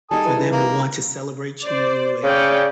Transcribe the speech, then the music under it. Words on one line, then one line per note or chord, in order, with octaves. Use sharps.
for them to want to celebrate you, and
G3 D#4 G#4 A4 G#5 D#6
E3
E3
A#3
C5 D5
C#3 C#4 D5 G5